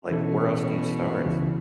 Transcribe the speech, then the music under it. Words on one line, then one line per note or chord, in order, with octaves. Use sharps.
like, where else do you start?
B2 E3 C#4 E4 A4
C#2 C#3 E3